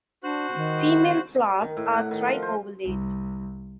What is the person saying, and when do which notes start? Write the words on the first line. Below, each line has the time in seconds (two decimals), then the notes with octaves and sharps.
Female flowers are tri-ovulate.
0.23 D4 F#4 C5 F#6
0.56 D#3
1.61 D#3
1.77 A2
1.93 F#5
2.11 D#3
2.26 F3
2.42 C5
2.85 C2